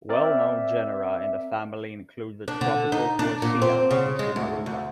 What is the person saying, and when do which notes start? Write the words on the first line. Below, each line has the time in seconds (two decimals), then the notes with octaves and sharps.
Well-known genera in the family include the tropical "Quassia" and "Simarouba".
0.09 C4 A#4 D5 E5
2.48 D4
2.61 D3
2.92 D#4
3.19 D4
3.42 A#2
3.62 C4
3.91 C#3
4.19 G#3
4.36 D2
4.66 D2